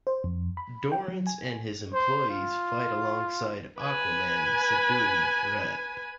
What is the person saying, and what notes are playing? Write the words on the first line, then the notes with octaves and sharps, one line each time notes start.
Dorrance and his employees fight alongside Aquaman, subduing the threat.
C5
F2
B5
G5
F#3
G#5
C5
F4
B4 G#5